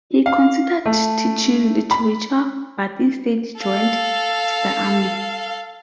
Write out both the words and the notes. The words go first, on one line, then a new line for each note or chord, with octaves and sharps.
He considered teaching literature but instead joined the Army.
F5
A3
B5
A4 F5